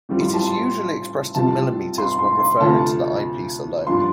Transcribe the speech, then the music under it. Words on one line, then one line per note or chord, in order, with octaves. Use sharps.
It is usually expressed in millimetres when referring to the eyepiece alone.
A1 A2 G3 C4 F4
C6
A5
C6
C2 C3 G3 F4 A5
C6
C6
C6
D2 C3 A3 F4 A5
G2 F3 D4 F4 C6